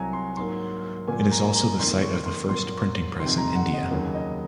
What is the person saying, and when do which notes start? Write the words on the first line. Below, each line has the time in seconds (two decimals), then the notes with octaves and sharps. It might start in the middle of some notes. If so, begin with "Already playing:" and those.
It is also the site of the first printing press in India.
Already playing: C2 C3 F#3 G#5 A#5
0.13 C6
0.37 G#2 F#3 A#3 C6
1.07 A#2 F#3 A#3 G#5
1.20 G#5
1.31 A#5
1.55 A#5
1.79 F2 D#3 A#3 C6
2.02 C#6
2.26 C6
2.49 A#2 F#3 A#3 C6
3.20 F2 C3 D#3 C6
3.38 A#5
3.55 F#5
3.73 D#5
3.91 D#2 C#3 F#3 A#3
4.14 D#5